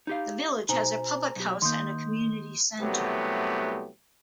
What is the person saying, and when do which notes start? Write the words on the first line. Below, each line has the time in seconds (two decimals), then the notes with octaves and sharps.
The village has a public house and a community centre.
0.07 D#4 G4 F5
0.69 B2 D#4 C5 G#5 A#5
1.36 B1 G4
1.62 D#3 A#3 C6 D#6 G6
2.81 C2 F#3 A3 B3 G4